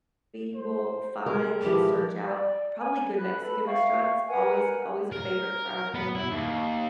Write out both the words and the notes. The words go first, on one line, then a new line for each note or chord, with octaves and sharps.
we will find and search out, probably good Mexican restaurants, always always a favorite for our family,
C5
G3 G#3 A#4
E3 F3 G4
D5
G#5
B5 F#6
A4 B4 B5
E5 F5 G5 C#6
A#4 B4 F#5 G#5
A#4
B3
E4
D#2